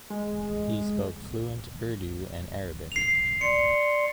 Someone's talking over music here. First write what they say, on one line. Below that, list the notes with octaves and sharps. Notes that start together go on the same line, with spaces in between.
He spoke fluent Urdu and Arabic.
G#3
C7 F7
D5 C6 C#7